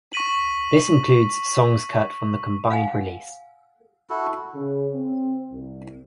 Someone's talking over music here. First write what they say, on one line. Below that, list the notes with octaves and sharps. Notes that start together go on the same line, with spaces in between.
This includes songs cut from the combined release.
C#6 A#6 B6 D#7 F#7
F5 F#5 G#5
E4 F#4 A4
C#3
C4
C2